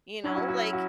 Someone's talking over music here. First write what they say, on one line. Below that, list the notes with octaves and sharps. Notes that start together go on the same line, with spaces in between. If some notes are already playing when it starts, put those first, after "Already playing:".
you know, like,
F#3 C#4 D4 E4
F#4
F#4
F#4